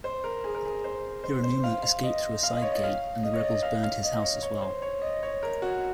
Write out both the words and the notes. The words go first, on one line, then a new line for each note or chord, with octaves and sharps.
Hiranuma escaped through a side gate and the rebels burned his house as well.
C5
A#4
G#4
A#4
G#4
C5
C5
C5
F5
F5
D#5
F5
D#5
C#5
D#5
F5
D#5
C#5
D#5
F5
F5
D#5
C#5
C#5
C5
C#5
D#5
C#5
A#4
F#4